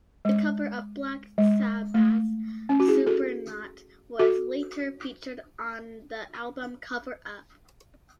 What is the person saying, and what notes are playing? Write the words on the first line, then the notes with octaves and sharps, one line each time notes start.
The cover of Black Sabbath's "Supernaut" was later featured on the album "Cover Up".
G#3
G#3
A3
C#4
F#4
E4 G#4
F#4 A4
F#4 A4